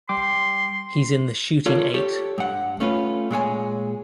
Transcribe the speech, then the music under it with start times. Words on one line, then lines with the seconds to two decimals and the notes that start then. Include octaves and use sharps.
He's in the shooting eight.
0.09 G3 G5 C6 D6
1.66 F4 A4 A#4 C#5 D5
1.94 G4 A4 C#5
2.38 G2 F#5
2.80 A3 C#4 F4 B4
3.31 A#2 G#3 C#5 G#5